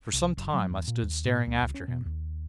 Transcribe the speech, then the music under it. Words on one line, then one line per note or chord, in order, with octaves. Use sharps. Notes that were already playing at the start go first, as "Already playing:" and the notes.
For some time I stood staring after him.
C2
F#1
F#3
E2
A#2
D#2
A2
C#2
C#2
C#4
B2
D#2